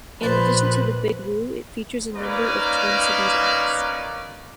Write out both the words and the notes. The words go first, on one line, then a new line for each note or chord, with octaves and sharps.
In addition to the Big Wu it features a number of Twin Cities acts.
A#1 B4 C5 D5
A#3 C#4 D#4 B4 D5